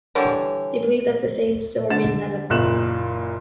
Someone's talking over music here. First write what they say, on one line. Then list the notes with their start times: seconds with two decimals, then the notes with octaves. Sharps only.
They believe that the saints still remain in Heaven.
0.15 D3 E3 G3 C#5
1.90 D3 A6 E7
2.50 F#1 A#2 F#6 E7